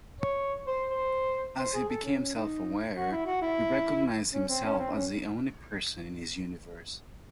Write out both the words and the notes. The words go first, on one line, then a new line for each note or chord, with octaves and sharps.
As he became self-aware, he recognized himself as the only person in his Universe.
C#5
C5
C5
C5
G#4
A4
C#4
C#4
D#4
F#4
E4
F#4
E4
C#4
C4
C#4
C4
C#4